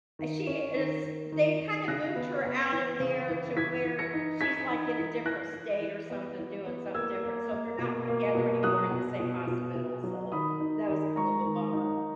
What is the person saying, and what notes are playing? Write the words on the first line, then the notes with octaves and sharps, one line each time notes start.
she is they kinda moved her out of there to where she's, like, in a different state or something doing something different. So they're not together anymore in the same hospital. So that was kind of a bummer.
D#3
C#4
D#3
D#3
D#3
D#3
C#3 F#6 A#6
B3
B3
E3
C#3
E3
E3 G#6 B6
E3
A#6 C#7
D#4
E3 G#6 B6
D#4
E3
E3 F#6 A#6
E3
E3
B3
E3
B3
A#3 E6 G#6
A#3
A#3
B2
A#3
B2
F#3 D#6 F#6
B2
B2
B2
B2
F#3
D#3 B5 D#6
D#4
D#3
G#3 A#5 C#6
D#3
D#4